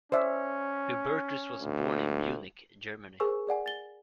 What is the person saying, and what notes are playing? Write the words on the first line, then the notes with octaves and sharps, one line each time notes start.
Hubertus was born in Munich, Germany.
C#4 C5 D5 E5
D2
G#4 A#4 C5 G#5 C#6 E6
G#4 D5 F#5 G#5
A6 G7